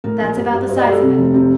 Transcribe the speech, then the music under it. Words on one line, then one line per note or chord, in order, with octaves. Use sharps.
"That's about the size of it."
A2 A#4
A#1
G2
G2
G2 C5
D#5
D5
G3
A4
C3
F1
C3